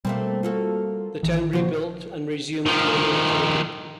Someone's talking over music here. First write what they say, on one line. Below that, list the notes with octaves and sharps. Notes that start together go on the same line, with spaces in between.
The town rebuilt and resumed normal activity.
B2 G3 A3 A#3 C4
A#3 F4 F#4 A4
A#1 D#3 E3
A#2 C#3 F3 F#4 C5
D#3 F3